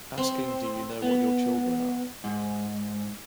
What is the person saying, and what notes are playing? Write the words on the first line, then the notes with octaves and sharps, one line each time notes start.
Asking Do You Know What Your Children Are?
C4
B3
G#2